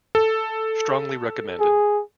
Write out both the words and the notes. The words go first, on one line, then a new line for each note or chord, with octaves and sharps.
Strongly recommended.
A4
G#4